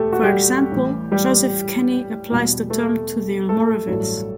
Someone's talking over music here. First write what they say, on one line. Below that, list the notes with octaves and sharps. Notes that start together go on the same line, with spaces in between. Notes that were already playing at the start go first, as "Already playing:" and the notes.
For example, Joseph Kenney applies the term to the Almoravids.
Already playing: E1 D2 A3 G4 A4
F#4
G3 G4
A1 A2 E3
G3 G4
E2 B2 G3 B3
A3 A4
A3 A4
A1 G2 F#3 A3